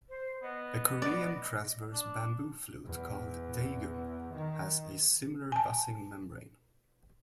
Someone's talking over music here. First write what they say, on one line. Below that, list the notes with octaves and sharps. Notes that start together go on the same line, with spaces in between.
The Korean transverse bamboo flute called "daegeum" has a similar buzzing membrane.
C5
B3 D#5
D5
D4
E2
D#3
G#5 A5